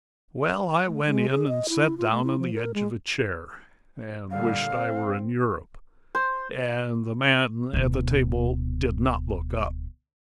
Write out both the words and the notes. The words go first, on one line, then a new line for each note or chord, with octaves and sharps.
Well, I went in and sat down on the edge of a chair, and wished I were in Europe, and the man at the table did not look up.
A3
G#3
G#4
D#5
E4
F4
A3
E4
F3
A#4
G#3
A#2 D3 G3 F5
C4
C5
D1 B2